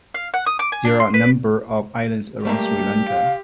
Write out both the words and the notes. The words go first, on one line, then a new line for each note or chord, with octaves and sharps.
There are number of islands around Sri Lanka.
F5
F#5
D#6
D6
G#5
D4
C6
B4
G3 A3 A#3 G4
F5